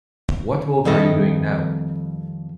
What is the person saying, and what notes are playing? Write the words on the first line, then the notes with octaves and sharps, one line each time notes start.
What work are you doing now?
F2 D#3 G3 A4 D#5 E5